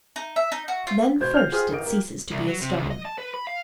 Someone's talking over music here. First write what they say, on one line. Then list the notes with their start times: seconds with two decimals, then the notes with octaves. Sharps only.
Then first it ceases to be a stone.
0.16 D#4
0.36 E5
0.52 D#4
0.68 F#4
0.87 F4
1.20 G#1 B2 C5 G6 G#6
1.34 F6 G6 C7 F7
1.52 F4 G4 G#4 C5 D#6 F6
1.71 A1 D#3 D#5 D7
1.85 A#3 G4
2.31 C2
2.48 F#3
2.61 C3
2.77 C#2
2.91 D#5
3.05 A5
3.18 B4
3.34 B5
3.47 F5